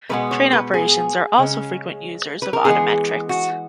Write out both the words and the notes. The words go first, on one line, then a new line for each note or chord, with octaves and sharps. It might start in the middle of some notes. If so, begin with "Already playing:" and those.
Train operations are also frequent users of odometrics.
B2 G#3 B3 B4
C#5
B4
G#4
C#3 G#3 C#4
B4
A#4
E3 G#3 B3 G#4
F#4